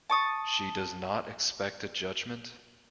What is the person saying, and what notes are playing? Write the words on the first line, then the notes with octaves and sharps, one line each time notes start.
She does not expect a judgment?
A5 C#6 D#6